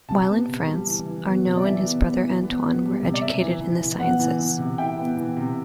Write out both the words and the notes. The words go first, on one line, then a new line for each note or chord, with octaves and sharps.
While in France, Arnaud and his brother, Antoine, were educated in the sciences.
C3 A5
B3
C3
G3
E3
E3
B3
C3
D5
E3 E5
B3
B3
E3
B3
B3
G3
C3
D5
C3 E5
E3
E3
E3
B3 F#5
E3
E3
C3
E4 G5
B3
E3
C3